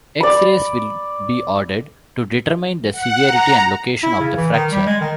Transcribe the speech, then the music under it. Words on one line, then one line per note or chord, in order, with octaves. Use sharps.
X-rays will be ordered to determine the severity and location of the fracture.
D5 B5
F#5
A#5
E4
C#3
E3
D#3
G3
G#3
D#3